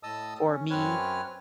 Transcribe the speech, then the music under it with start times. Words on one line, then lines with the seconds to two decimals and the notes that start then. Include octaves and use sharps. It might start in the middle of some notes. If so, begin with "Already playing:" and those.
for me,
0.03 A2 D#5 A5 D#6 E6
0.46 C#4
0.70 F#2 C4 B4 C#5 F6